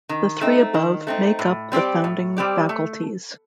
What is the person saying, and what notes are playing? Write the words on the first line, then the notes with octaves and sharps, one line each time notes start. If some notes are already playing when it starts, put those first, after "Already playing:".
The three above make up the founding faculties.
D#3
A3 C4 D#4
D#3
A3 C4 D#4
A2
G3 C4 G4 D5
A2
G3 C4 G4 D5
A3